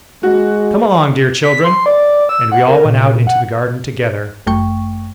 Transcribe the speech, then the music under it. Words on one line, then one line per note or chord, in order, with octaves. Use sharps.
"Come along, dear children!" And we all went out into the garden together.
G#3 F#4
B6
C6
D5
E6
F#5
A#4
A#2
F#5
G1 F#2 A3 G5 C#6